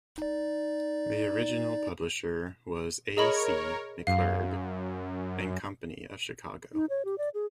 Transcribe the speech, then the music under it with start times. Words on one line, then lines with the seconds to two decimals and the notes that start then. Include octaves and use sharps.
The original publisher was A. C. McClurg and Company of Chicago.
0.18 D#4 D5
3.17 G#4 A#4 C#5 D#5 B5
4.07 F#2 F5
6.74 D#4
6.90 C#5
7.05 G4
7.18 D5
7.34 G#4